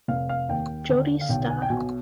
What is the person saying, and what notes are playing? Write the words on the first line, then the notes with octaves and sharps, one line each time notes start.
Jodi Sta.
F1 F5
F5
D#2 G5
D3
F5
B1 G5
G#5
G5
B2 G#5